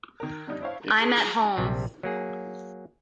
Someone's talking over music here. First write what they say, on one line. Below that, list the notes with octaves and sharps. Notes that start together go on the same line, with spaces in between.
I'm at home.
D#3 A#4
F2 D3 G3 D#4
D4 E4 C5 C#5 F5
G#4
A#1 C3 G3
F#3 A#3 G#4